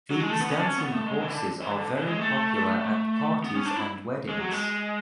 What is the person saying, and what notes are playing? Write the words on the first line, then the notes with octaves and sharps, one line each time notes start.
These dancing horses are very popular at parties and weddings.
F#3
G#3
A3
B3
C#4
D4
C#4
B3
A3
G#3
E3
D3
E3
D3
E3
G#3
A3
B3
C#4
D4
E4
G#3
F#3
G#3